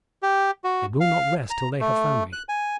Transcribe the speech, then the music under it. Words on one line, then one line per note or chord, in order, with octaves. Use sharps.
They will not rest till they have found me.
G4
F#4
F5
A#5
A3
F#6
G#5